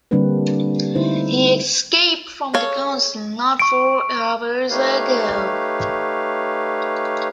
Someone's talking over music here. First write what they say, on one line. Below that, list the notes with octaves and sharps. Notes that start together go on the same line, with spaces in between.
He escaped from the Council not four hours ago.
D3 G3 A#3 C4 D4 B4
D3 A3 D#4 E4 C5
G#4 A4 C#5 F5
C#6 D7
A3 D#4 G4 B4 C#5 F5